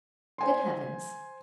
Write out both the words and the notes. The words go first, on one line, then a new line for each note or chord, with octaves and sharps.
Good heavens!
C5 G#5 C6